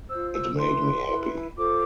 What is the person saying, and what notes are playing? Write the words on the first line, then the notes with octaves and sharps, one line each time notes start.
It made me happy.
F4 C5 E6
E6
E4 B4 C6
E4 B4
F4 A4 C5 D6